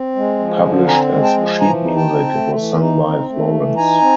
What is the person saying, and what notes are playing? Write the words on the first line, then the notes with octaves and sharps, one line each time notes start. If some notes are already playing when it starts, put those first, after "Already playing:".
Published as sheet music it was sung by Florence.
Already playing: C4
G#3
F3
D3
C4 G#5 A#5
G#3
G5 A5
F3
E3 G#5 A#5
D#4
G5 A5
C4
A3
E3
D#4
C4
A3
E3
D#4 G#5 A#5
C4